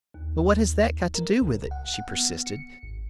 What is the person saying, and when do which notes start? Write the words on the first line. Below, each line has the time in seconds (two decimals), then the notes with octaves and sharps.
"But what has that got to do with it?" she persisted.
0.14 D#2
1.15 A#4
1.41 C#2
1.71 F#5
1.94 F#5
2.09 B3
2.46 C#7
2.83 G#1